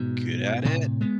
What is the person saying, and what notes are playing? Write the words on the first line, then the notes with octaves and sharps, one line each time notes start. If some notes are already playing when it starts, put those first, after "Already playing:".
good at it,
Already playing: G#2 B2
A2 C3
G#3 B3